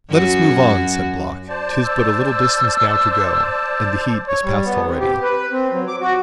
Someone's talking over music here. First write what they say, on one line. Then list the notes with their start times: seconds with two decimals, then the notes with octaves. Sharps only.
'Let us move on,' said Block; 'tis but a little distance now to go, and the heat is past already.
0.10 F#2 F#4
1.49 C5 D5 A5
1.83 E6
4.28 C#5
4.44 G3
4.65 B3
4.84 C3
5.00 G4
5.23 B4
5.52 C4
5.72 F#3
5.88 D6
6.01 F#4